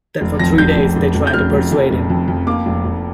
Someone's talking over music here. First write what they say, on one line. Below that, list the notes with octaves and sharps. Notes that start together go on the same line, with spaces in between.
Then for three days they tried to persuade him.
F1
F2 A#6
F1 G6
F1
F1
F1
G6
F1 F6
F1
F2
F1
F2
F2
A#3 D6
F1
F1